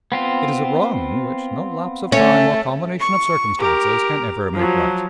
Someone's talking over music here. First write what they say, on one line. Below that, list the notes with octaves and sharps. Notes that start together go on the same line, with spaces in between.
It is a wrong which no lapse of time or combination of circumstances can ever make right.
B3 C4 F4
A3 C#4
C#6
G4 A#4
F3 F#3